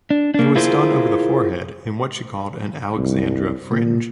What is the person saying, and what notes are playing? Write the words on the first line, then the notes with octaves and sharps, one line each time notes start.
It was done over the forehead in what she called an Alexandra fringe.
D4
A#3 D4
E4 F4 G#4 A#4 C5
C2
A#2